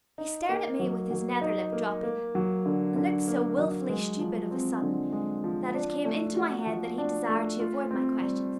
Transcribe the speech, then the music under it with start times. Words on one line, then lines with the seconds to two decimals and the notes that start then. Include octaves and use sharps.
He stared at me with his nether lip dropping, and looked so wilfully stupid of a sudden that it came into my head that he desired to avoid my questions.
0.18 D#4
0.49 A#3
0.80 F#3
1.11 F#3
1.41 D#4
1.72 A#3
2.03 A#3
2.35 F#3
2.66 D3
2.96 D3
3.28 A#3
3.58 F#3
3.89 G#3
4.19 F3
4.51 C4
4.81 D3
5.13 G#3
5.44 F3
5.74 D4
6.05 A3
6.37 F#4
6.66 F3
6.98 D4
7.29 A3
7.60 F4
7.91 C4
8.21 G3